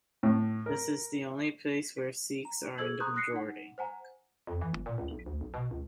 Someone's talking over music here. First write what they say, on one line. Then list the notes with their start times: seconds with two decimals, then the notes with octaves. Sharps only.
This is the only place where Sikhs are in the majority.
0.23 A2
0.66 A#4
2.45 A#5
2.78 G#4 A4 C5 E6 G#6 F#7
3.00 A#5 C6 C#6 D#6 F#6 G6
3.15 D#6 F#6 A#6 C7 C#7
3.32 D#4 F#5
3.78 C5 F#5 G#5 A#5
4.47 F2
4.61 E3
4.73 G1
4.86 A#2
4.98 C#2
5.11 B1
5.26 D2
5.41 B1
5.54 B2
5.71 C#2